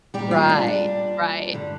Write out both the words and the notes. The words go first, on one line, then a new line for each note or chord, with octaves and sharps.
Right, right.
A#2 G3 G4
F4
D4
D4
G2 D3 G3